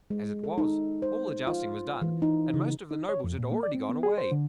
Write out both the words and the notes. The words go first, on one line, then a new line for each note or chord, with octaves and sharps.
As it was, all the jousting was done, and most of the nobles had already gone away.
G#3
A4
D#4
C5
F4
E3
D#4
C#3
D#4
C#5
F2
A#2
A#3
D5
C4
B3
G#4
C5
D3